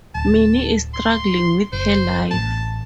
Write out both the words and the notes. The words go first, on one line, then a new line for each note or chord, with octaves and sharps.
Minny is struggling with her life.
D1 A5
C6
F#1 C5
A1 A2 B3 A5